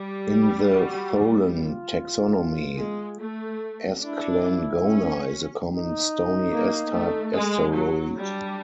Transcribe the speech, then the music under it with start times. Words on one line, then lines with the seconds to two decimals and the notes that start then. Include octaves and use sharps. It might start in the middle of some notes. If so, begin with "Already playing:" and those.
In the Tholen taxonomy, "Esclangona" is a common stony S-type asteroid.
Already playing: G3
0.29 G4
0.71 F#4
1.53 F4
2.78 G#3
3.19 A3
4.02 D4 E4
4.85 C#4
5.69 D#4
6.51 A#3
6.92 A3
7.35 G#3
7.75 F#3
8.17 G3 D4